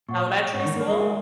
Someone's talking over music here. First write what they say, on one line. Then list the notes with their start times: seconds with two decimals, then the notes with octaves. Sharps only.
elementary school,
0.09 A#2 C#5 F#5 C#6
0.54 G#2 C#5 F#5 C#6
0.65 D#3
0.76 A#3
0.88 G#3
0.99 A#4 E5 G#5